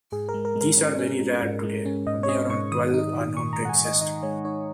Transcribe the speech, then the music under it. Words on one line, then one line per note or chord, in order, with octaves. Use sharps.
These are very rare today: only around twelve are known to exist.
G#2 G#4
A#4
G#3
A#4
G#3
A#4
C#4
C#4
G#3
G#2
G#3
C#4
G#2 D#5
C#5
C#4 D#5
G#2 C#6
D#3 D#6
D#4
D#3
D#3 C#6
A#5
G#3
F#5
G#5
D#3
D#5
D#3 D#5
G#3 C#5
D#4 C#5